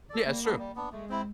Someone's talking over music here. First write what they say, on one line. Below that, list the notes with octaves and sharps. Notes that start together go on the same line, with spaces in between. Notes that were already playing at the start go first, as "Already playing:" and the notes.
Yeah, it's true.
A4 D5
G3 A#3
B3 D4
G3
B3 D4
G#3 A3
C4 E4